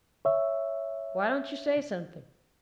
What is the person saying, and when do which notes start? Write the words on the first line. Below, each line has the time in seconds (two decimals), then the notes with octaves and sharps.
"Why don't you say something?"
0.25 C#5 E5